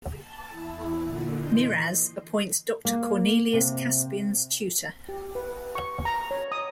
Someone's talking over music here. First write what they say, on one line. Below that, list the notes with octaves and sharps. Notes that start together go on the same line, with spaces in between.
Miraz appoints Doctor Cornelius Caspian's tutor.
A5
E2 E4
A#2 D3
E3 D#5 C6 G6
A#3
C3
G4
B4
C#6
A#5
C#5
D#6